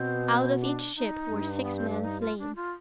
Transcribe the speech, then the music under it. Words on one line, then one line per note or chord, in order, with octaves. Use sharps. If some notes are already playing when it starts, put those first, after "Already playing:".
Out of each ship were six men slain.
Already playing: B2 C4
D4
D#4
G2
B3
C4
D4
D#4
F4
D4
F4